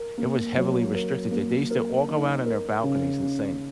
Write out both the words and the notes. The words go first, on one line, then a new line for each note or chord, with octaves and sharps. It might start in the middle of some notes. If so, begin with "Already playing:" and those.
it was heavily restricted there. They used to all go out on their balconies and sing.
Already playing: A#4
A#3
F#3
A#4
A#3
A#4
D#4
A#4
C#3
C#3